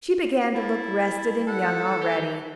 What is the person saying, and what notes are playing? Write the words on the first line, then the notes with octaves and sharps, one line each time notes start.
She began to look rested and young already.
E4 A5
E4 A4 F#5
G4